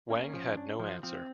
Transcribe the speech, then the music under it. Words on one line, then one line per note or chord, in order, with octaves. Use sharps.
Wang had no answer.
A#3 C#4
F3
D4
F3
F3 C4